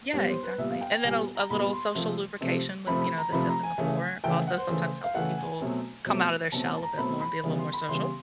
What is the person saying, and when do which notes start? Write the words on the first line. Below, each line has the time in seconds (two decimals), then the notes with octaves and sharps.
Yeah, exactly, and then a l a little social lubrication with, you know, the sip and the pour also sometimes helps people come outta their shell a bit more and be a little more social.
0.13 A#2 G3 B3 C#5
0.29 C5
0.43 B4
0.58 A#2 G3 B3 E5
0.70 F5
0.81 G5
0.92 G5
1.04 A#2 G3 B3 G#5
1.35 A#5
1.50 A#2 G3 B3 B5
1.72 C6
1.95 C3 F3 A3 C4
2.41 C3 F3 A3 C4
2.86 C3 F3 A3 C4 B5
3.01 B5
3.18 A#5
3.32 C3 F3 A3 C4 B5
3.48 A#5
3.63 G#5
3.78 C#3 E3 A3
4.24 C#3 E3 A3 G5
4.47 F#5
4.57 C5
4.69 C#3 E3 A3
5.04 F5
5.14 C#3 E3 A3 F#5
5.38 G#5
5.61 B2 F#3 A3 C4
6.06 B2 F#3 A3 C4
6.52 B2 F#3 A3 C4 A5
6.66 A5
6.78 A5
6.82 A#5
6.98 B2 F#3 A3 C4 B5
7.21 B5
7.43 C#3 E3 G3 B3
7.59 C6
7.73 B5
7.88 C#3 E3 G3 B3 C6